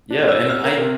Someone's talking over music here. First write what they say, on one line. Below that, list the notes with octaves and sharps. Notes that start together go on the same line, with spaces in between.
Yeah, and I
D4
E6
F6
A#4
C3